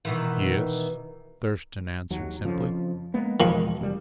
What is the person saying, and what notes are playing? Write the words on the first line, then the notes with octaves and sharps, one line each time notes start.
"Yes," Thurston answered simply.
B2 D#3 E3
D#2 F#3
F2 C#3 F3
G#3 A#3 B3
E2 B2 D#3 F3 G#3
E1 C3 G3